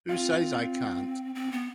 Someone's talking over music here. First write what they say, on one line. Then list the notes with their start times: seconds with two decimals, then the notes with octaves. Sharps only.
Who says I can't?
0.09 C4 F4
1.35 C4
1.52 B3